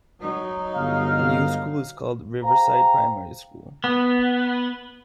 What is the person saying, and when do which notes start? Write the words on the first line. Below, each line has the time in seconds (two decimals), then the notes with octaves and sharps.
The new school is called Riverside Primary School.
0.20 F#3 D#4
0.74 G1 F5
2.43 G#4 C5 F5 G5 A#5
3.84 B3